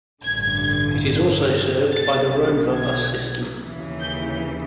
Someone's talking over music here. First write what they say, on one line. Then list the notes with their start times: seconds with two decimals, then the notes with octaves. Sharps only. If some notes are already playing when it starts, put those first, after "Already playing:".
It is also served by the Rover bus system.
0.24 A1 G2 D3 G#6
1.91 B1 B2 A6
2.76 G#6
3.60 D#2 C#3 E3
4.01 G6